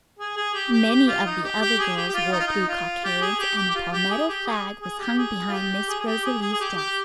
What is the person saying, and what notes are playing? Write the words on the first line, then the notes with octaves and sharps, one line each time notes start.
Many of the other girls wore blue cockades, and a palmetto flag was hung behind Miss Rosalie's desk.
G#4
G#4
G4
G4
G4
F4
D#4
G4
G4
G#4
G4
G4
F4
D#4
F4
D#4
F4
G4
G#4
G4
G4
G4
F4
G4
G#4
G4
G#4
G#4
G4
G#4
F4
G4
G#4
G#4
G4
G#4
G#4
G#4
G4
G4